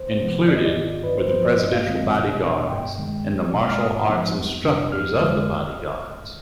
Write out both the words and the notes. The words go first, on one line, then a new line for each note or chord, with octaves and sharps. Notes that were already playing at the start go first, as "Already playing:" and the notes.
Included were the presidential bodyguards and the martial arts instructors of the bodyguards.
Already playing: C5
C3 F3 B3
G#2 D5
D#5
D5
D#3 B3 F4
G2 B4
C5
F3 B3 C5
D5
G2 D#5
F5
D#3 G#3 C4 F4 D#5
B2
B3 D4
G2 G5
D#3 G#3
B1
B2 G#3
F6
G#2 D#6
F3 B3 D#4
F2
C3 G3 D4
F2 F6
D3 G#3
G#1